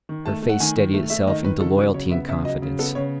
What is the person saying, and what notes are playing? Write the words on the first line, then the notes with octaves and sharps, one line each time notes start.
Her face steadied itself into loyalty and confidence.
D#3
A3 A5
A3
F#5
D#3 G#5
D#3
A3
A3 E5
D#3 D#5
D#3 B4
C#3 A4
F#3 B4
C#3 C#5
B3 E5
C#3 E5
F#3 D#5
C#3
B3 A4
C#3 C#5